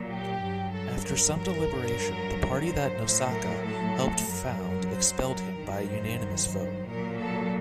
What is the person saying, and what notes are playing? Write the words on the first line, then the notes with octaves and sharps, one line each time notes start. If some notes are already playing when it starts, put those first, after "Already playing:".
After some deliberation, the party that Nosaka helped found expelled him by unanimous vote.
Already playing: A#2 F#3
G4
G2 F#3
A4
A#4
A#4
G2 F#3
C5
A2 F#3
A#4
A4
F#2 F#3 A#4
A#4
C5
A#4
G2 D#3 F#3
C5
A#2 F#3 A#4
A4